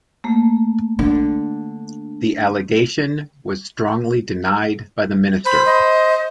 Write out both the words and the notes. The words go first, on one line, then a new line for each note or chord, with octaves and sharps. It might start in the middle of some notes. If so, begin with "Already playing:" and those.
The allegation was strongly denied by the minister.
A3 A#3
D3
C5 B5
D#5